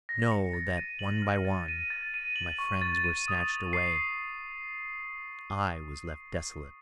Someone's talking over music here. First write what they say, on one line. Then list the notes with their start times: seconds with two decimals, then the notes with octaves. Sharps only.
Know that, one by one, my friends were snatched away; I was left desolate.
0.09 A#6
0.32 C#7
0.53 A6
0.77 D#7
0.99 F#7
1.22 F6
1.45 A6
1.68 D#7
1.90 A6
2.14 D#7
2.36 F#7
2.59 C#6
2.82 A6
3.04 D#7
3.28 D#6
3.50 A6
3.73 C7